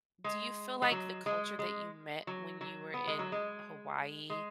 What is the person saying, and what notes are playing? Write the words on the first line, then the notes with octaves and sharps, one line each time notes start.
do you feel like the culture that you met when you were in Hawaii,
G#3
G#3
F#3
G#3
G#3
F#3
F#3
B3
G#3
F#3
G#3
G#3